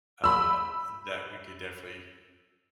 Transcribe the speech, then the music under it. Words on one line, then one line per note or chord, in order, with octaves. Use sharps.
uh, that we could definitely
B5 E6